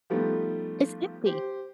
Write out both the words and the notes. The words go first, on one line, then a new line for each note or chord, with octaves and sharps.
It's empty!
F3 G3 A3 B3 D#4 F4
G4 C5